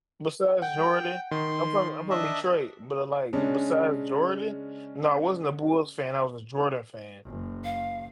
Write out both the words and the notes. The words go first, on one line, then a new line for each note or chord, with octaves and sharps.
Besides Jordan. I'm from I'm from Detroit, but like, besides Jordan no, I wasn't a Bulls fan, I was a Jordan fan,
F#5 G5
D#3 C6
D4 D#5 E5
C#3 G#3 C#4 D4
F#1
F5